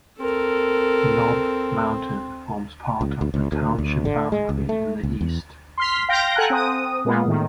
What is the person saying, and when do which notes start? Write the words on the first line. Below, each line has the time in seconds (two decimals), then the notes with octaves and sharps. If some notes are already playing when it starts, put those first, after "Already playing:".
Knob Mountain forms part of the township boundary in the east.
0.20 C4 A4 A#4
3.01 C#2
3.21 D2
3.34 C#2
3.52 D2
3.78 D2
4.05 D3
4.32 G#3
4.49 C#2
4.69 A3
5.03 C#2
5.21 E2
5.77 C6 F6 B6
6.09 F5 G5 G6 A#6 D7
6.36 A4 F#5 G#5 A#5 F#6
6.50 C4 D#6
7.05 A#2 G#3 A#3 B3 F4
7.25 A2 D#3